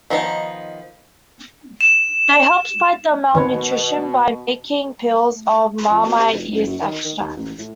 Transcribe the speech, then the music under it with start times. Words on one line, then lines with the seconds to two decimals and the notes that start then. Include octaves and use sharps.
They helped fight the malnutrition by making pills of Marmite yeast extract.
0.10 D#3 F3 B3 D#4
1.81 E7
3.35 B2 D#3 B4 C#5
5.90 F2
6.06 B2
6.18 C3
6.33 F1
6.51 F#1
6.66 F#2
6.82 D#3
7.05 D#3
7.20 D#2
7.37 A1
7.59 A2